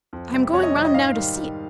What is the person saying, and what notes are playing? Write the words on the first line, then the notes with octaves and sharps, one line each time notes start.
I am going round now to see it.
F2
C3 G3
F2 C#5
D#5
C3 G3
D#5
G#2 F5
D#3 G3
G#2